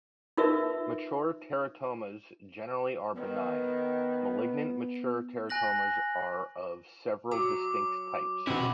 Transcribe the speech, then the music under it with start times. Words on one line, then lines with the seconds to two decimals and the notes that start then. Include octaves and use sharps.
Mature teratomas generally are benign; malignant mature teratomas are of several distinct types.
0.37 D#4 F4 A#4 B4 E5
3.16 D#3 B3
5.50 G#5 F#6 A#6 F#7
7.31 F#3 D6
8.47 B2 C4 E4 F#5